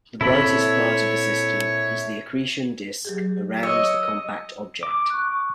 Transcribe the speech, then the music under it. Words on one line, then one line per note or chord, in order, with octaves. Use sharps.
The brightest part of the system is the accretion disk around the compact object.
A#2 C4 E4 A4 C#5 B5
F#3 G4 G#4
C#5 D#5 E6
D6
C#6 F#6